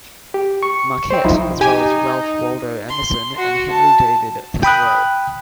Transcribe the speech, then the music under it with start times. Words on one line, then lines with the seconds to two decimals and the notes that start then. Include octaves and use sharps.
Marquette, as well as Ralph Waldo Emerson and Henry David Thoreau.
0.34 G4
0.63 C#6
1.10 C5 G5
1.25 B1 F3 D#4 E4
1.61 D#4 G4 G#5
2.88 C6
3.38 F#4
3.71 A5
4.63 G5 B5 D#6 F#6